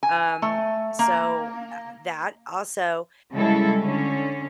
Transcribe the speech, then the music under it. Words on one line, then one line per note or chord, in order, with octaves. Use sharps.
Um, so, eh, that also
G#5
A3
A#3
C#3 G3 G#3 E4 A4
D3 C#4